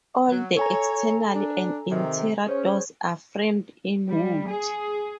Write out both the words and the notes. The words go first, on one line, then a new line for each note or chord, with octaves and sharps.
All the external and interior doors are framed in wood.
F#3
A4 C#5 G#5 A#5
D4
C3 D#3
C#4 G#4 C5 C#5
G3
G#4